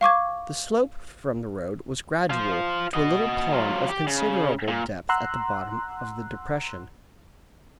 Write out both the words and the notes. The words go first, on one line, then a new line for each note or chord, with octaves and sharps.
The slope from the road was gradual to a little pond of considerable depth at the bottom of the depression.
F5 C#6 D6 G#6
F4 C5
F#4 D#5
F#3 F4
G4
C#3
A#2
F#5 A#5 C6 E6 F#6